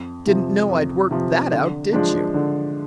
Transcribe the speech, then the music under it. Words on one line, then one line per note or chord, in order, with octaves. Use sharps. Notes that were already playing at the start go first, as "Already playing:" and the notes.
Didn't know I'd worked that out, did you?
Already playing: F2
C3 F3
F2
C3 F3
D3
F3 G#3 D4
D3